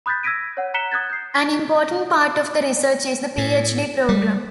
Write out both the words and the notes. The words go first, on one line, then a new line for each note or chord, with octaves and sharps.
An important part of the research is the PhD program.
B5 D#6 F#6 G6 A6 B6
E6 G#6 A#6 B6 D7 D#7
C#5 F#5
A#5 F#6 B6 C#7 E7 G7
D#6 F#6 G#6 A6
G6 C7
A2
G3